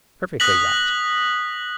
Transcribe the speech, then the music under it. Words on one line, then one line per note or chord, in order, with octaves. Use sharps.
Perfectly right.
D#6 F#6 A#6 B6 F#7